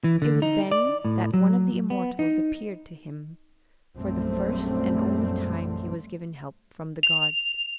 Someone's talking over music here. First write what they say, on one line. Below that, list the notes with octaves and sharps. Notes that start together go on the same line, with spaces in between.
It was then that one of the immortals appeared to him; for the first and only time he was given help from the gods.
E3
D3
D#4
D5
A2
F#3
B3
D#4
A#1 F#2 G3 A3 C4
F7